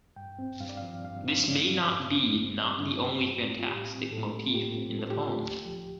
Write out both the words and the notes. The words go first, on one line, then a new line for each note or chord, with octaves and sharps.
This may not be not the only fantastic motif in the poem.
G2 G5
C4
G2 F5
D5
F3 F5
G2 F5
C4
F5
G2 D5
F3
G2
C4
G2
G3
G2
C4
G2
G3
F4
A2 G4
C4
A2 A4
A3
F4
A2 G4
C4
A2 A4
G4
A3 F4
G4
D2
F3